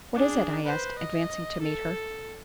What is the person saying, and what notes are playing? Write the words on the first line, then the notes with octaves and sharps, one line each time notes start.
"What is it?" I asked, advancing to meet her.
D4 G#4
B4 C5
D#5
A4